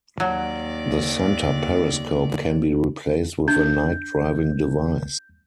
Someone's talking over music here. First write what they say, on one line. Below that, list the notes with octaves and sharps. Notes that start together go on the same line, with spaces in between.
The centre periscope can be replaced with a night driving device.
D#2 F#3 D5
D4 G6